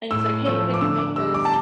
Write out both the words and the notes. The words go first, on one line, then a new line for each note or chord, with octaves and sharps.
and he's like, "Hey, can you make this,"
A2 E6
F3 A3 E6
D6
D3 E6
D6
G3 E6
D6
A5